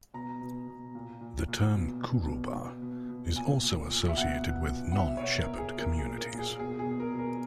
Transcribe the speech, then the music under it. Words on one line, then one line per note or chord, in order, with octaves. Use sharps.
The term kuruba is also associated with non-shepherd communities.
B2 A#5
B2
B2
A#2
A#2
A#2
B2
B2
B2
B2
B2
B2
A#2 G#5
A#2
A#2
E5
B2 F#5
B2
B2
F#5
B2 E5
C#5
B2
A#4
B2
G#4
A#2 A#4
G#4
A#2
A#4
A#2
G#4
B2 G#4
G#4
B2
A#4
B2
A#4